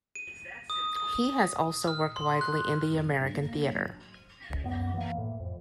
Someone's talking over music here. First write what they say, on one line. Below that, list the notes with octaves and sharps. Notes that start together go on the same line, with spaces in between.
He has also worked widely in the American theatre.
D#7
D#6
D#6
F6
C6
F#6
F2
G1
G2
A#3
D4
F#3
C#2
F#2 B3
E3 A#3
A2
F2